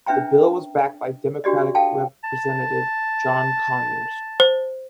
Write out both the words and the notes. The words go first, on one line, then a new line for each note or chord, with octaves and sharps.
The bill was backed by Democratic Representative John Conyers.
C#4 D4 B4 E5 G5 A#5
D4 F#4 G4 D5 D#5
A4 F5 G5 A5
A5
C5